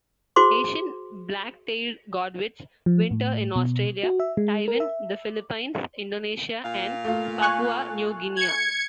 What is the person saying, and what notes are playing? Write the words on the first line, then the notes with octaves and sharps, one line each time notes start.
Asian black-tailed godwits winter in Australia, Taiwan, the Philippines, Indonesia, and Papua New Guinea.
F#4 G#4 C5 C6 D6
F3
A2
B2
F#4
E5
G#3
A#4
E5
A#2 F5
A3 F4
G#5 C#6 F#6
G#6 C#7